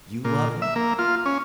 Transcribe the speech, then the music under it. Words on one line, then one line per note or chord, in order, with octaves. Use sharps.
'YOU love him?
A#2
E5
A#3
F4
C#4